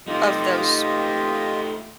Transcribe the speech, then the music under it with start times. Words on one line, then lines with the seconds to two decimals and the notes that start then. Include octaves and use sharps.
of those
0.08 A3 D#4 F4 G4 D#5